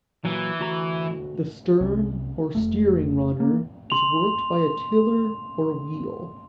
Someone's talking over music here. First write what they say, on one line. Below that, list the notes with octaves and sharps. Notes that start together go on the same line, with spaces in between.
The stern or steering runner is worked by a tiller or wheel.
A#2 E3 F#3
D2 F#4 A#5
C2 C3 C4 C#4
F1 F2 A3
A#3
C6 F7